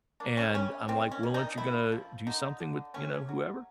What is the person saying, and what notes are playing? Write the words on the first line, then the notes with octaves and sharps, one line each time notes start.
And I'm like, "Well, aren't you gonna do something with, you know, whoever?"
A#3 D4
C#4
G3 C#4
D#3 C4
C#4
D#3
D#4
A3 E4
F3
D3 D#4
D3
A3 C#4
F#3